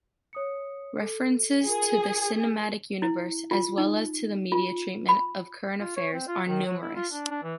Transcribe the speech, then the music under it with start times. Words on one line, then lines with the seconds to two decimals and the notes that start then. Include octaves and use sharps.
References to the cinematic universe, as well as to the media treatment of current affairs are numerous.
0.33 C#5 D#6 C#7
1.02 A4
1.66 F4 G#4 A#4
3.02 E4
3.51 F4
3.78 D#4
4.52 F4
5.09 B5
5.80 F4
5.96 C#5
6.13 C4
6.27 F4
6.47 D#3
6.65 F#3
6.82 E4
6.96 F4
7.12 D4
7.31 D4
7.43 E3